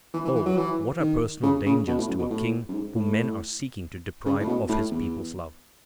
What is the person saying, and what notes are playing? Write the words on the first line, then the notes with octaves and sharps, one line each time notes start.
Oh! what are personal dangers to a King whom men are seeking to deprive of his people's love?
E3
E3
E3
F#3
E3
D#3
C#3
C#3
B2
A2
F#2
B2
A2
F#2
G#2
A2
C#3
A2
B2
A2
E2